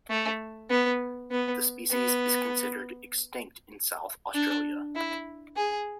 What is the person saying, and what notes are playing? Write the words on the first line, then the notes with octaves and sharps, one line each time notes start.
The species is considered extinct in South Australia.
A3
B3
B3
B3
D4
E4
G#4